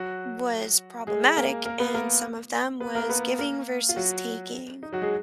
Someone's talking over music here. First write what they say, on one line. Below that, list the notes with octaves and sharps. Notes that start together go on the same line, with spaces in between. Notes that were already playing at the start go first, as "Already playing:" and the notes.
was problematic in some of them was giving versus taking,
Already playing: F#3 F#4
G#3 G#4
A#3 A#4
A#3 A#4
B3 B4
A#3 A#4
B3 B4
A#3 A#4
B3 B4
A#3 A#4
F4
F#3 F#4
D#4
F#3 F#4
G#3 G#4